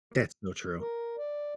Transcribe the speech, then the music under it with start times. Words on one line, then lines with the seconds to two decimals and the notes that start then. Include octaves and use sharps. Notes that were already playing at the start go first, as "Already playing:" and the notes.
That's so true.
0.80 A#4
1.18 D5